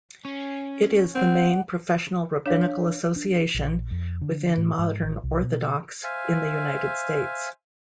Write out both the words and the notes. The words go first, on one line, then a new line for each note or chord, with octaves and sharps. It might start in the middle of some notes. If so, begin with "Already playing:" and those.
It is the main professional rabbinical association within Modern Orthodox in the United States.
C#4
C4 F#5
D4 C#5 F5
D4
A#1
F2
D3
A2
G#2
A1
C2
B2
C5 E5 F5 G#5